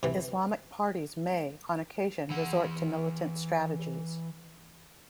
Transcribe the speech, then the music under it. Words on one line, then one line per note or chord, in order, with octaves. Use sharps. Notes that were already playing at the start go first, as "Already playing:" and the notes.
Islamic parties may, on occasion, resort to militant strategies.
C3 E3
E3 F#5